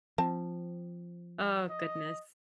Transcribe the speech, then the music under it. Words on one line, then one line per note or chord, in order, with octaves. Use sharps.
Oh, goodness.
F3 C4 A5
D#5